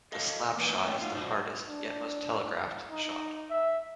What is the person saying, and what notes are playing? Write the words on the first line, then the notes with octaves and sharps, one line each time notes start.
The slapshot is the hardest, yet most telegraphed, shot.
A4 D#5 F5 A5
G#2 A#3 B4 A5
A2 A#4 C#5 D#5 G5
D#4 F4 F5
B2 F#4 C5 D5
D4
D#4
E5